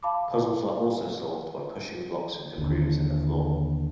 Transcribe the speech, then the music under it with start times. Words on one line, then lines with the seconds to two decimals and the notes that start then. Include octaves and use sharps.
Puzzles are also solved by pushing blocks into grooves in the floor.
0.03 F5 A5 B5 D6
2.58 D#2 D3